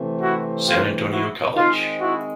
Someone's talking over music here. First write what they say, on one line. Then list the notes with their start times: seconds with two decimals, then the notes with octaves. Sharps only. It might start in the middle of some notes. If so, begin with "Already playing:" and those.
San Antonio College.
Already playing: C3 E3 A3 C4
0.21 E4 F#4
0.66 F4 G4
1.11 E4 F#4
1.55 D#3 G#3 C4 D#4 F4
2.00 E4 F#4